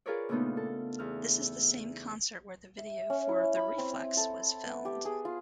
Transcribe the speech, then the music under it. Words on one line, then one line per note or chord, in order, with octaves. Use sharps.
This is the same concert where the video for "The Reflex" was filmed.
F4 G#4 A#4 B4 C#5 D5
A#2 C#3 A3 B3 D4 D#4
A4
E2 F6
E5
C#4
E4
B5
C4
C4
A4
B3
G4
G#4
F4